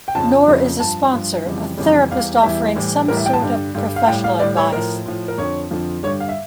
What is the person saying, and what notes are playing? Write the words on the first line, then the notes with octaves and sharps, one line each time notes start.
Nor is a sponsor a therapist offering some sort of professional advice.
G5
F2 C#3 F3 A5
F2 C#3 F3
G2 F3 A5
G2 F3
F2 C#3 E3 G3
F2 C#3 E3 G3
E2 E3 G3 F5
E2 E3 G3 E5
A2 E3 G3
A2 E3 G3 A#4
E5
G5
A5
G2 D3 G3
G2 D3 G3
F5
A2 G5
G3
F5
A2 G3 D5
C#5
A2 F3 A#4
A2 F3
A#4
F2 D3 F3 C#5
F2 D3 F3
G2 D3 G3 C#5
F5
E5